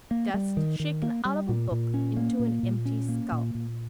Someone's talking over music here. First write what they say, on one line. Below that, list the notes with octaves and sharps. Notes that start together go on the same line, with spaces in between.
Dust shaken out of a book into an empty skull.
A#3
G3
D#3
D#3
A#3
G3
A#2
A#2
C#4
A#3
A#2
A#2
C#4
A#3
A#2
A#2